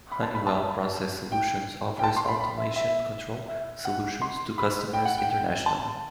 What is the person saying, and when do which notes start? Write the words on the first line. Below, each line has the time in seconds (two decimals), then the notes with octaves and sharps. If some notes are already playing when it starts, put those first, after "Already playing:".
Honeywell Process Solutions offers automation control solutions to customers internationally.
0.12 B5
0.23 A5
0.35 B5
0.47 A5
1.32 G5
1.99 G5
2.04 A5
2.16 C6
2.28 B5
2.41 B5
2.58 E5
2.76 E5
3.48 E5
3.85 F#5
4.22 C6
4.58 B5
4.93 G5
5.05 F#5
5.18 G5
5.30 G5
5.66 A5